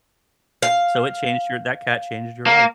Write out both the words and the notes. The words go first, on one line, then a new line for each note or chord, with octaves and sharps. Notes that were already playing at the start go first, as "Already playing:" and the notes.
So it changed your That cat changed your life.
F5
A#3